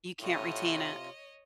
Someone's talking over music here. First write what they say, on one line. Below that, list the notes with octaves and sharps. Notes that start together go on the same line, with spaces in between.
You can't retain it.
A2 C3 F4 C#5 D#5